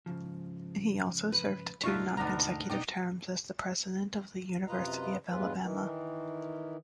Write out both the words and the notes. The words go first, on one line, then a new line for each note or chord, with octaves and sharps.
He also served two nonconsecutive terms as the president of the University of Alabama.
G#2 C#3 F3
B4
D2 G#2 B2 D#4 F4 D5 C#6
D2 B3 D4 D#4 A#4 A#5
B2 D#4 D5 G5
F#2 C3 F4 B4 D#5 A#5
E2 G2 F#3 G#3 F4 B4
D#3 E3